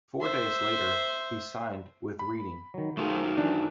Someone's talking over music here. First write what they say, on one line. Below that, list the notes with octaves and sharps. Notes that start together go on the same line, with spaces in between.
Four days later, he signed with Reading.
C5 E5
B5
D#3 F#3
F#2 D#3 F#3 A3 F4 G#4
E3 D4